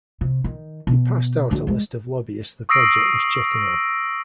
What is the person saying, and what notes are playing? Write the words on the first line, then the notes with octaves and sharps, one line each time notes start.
He passed out a list of lobbyists the project was checking on.
C3
D#3
B2
D3 F#3
G3 G#3
C#6 D#6 E6 A#6 C7 D7